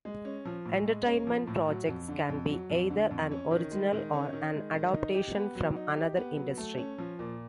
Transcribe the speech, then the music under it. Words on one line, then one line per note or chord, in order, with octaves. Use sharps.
Entertainment projects can be either an original or an adaptation from another industry.
G#3
C#4
F3
A2
G#3
C#4
F3
A2
F#3
F2
D3
F2
F#3
F2
D3
F2
C#4
D#3
G#3
D#3
C#4
D#3
G#3
D#3
D#4
G4
B3
F#3
D#4
G4
B3
F#3
A3
C#4
F3
A#2